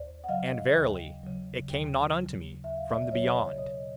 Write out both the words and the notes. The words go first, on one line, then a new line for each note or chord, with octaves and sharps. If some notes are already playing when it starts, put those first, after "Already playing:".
And verily, it came not unto me from the beyond!
Already playing: D#2 C5 D5
F#5
C#3 F#3 D#5 F5
D#2
C#3 F#3
D#2
C#3 F#3
D#2 E5
F5
D5 E5
D5
C#3 F#3 C#5 D#5
B2 C#5 D#5